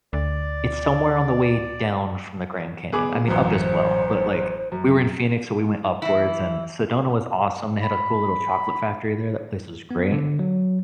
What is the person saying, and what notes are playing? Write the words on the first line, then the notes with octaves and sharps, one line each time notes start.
it's somewhere on the way down from the Grand Canyon, I mean, up as well, but, like, we were in Phoenix, so we went upwards, and Sedona was awesome, they had a cool little chocolate factory there, that place was great.
D2 D5
B3 G#4 D6
A1 F#2 C5
F#2
E3 E4
B5
B3
D3
F#3